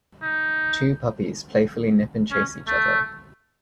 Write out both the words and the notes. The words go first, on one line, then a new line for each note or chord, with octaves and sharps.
Two puppies playfully nip and chase each other.
D#4
C#4
A3